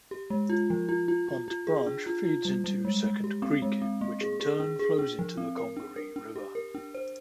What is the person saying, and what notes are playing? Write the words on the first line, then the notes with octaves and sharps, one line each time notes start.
Hunt Branch feeds into Second Creek, which in turn flows into the Congaree River.
G4
G#3
F4
F3
F4
F4
F4
F4
G#4
D4
F4
F4
G3
G3
G#3
G#3
G4
C4
G#3
C4
A#3
G#4
G#4
D4
G#4
D4
F3
C4
A#4
D4
A#4
D4
G4
A#4
D4
C5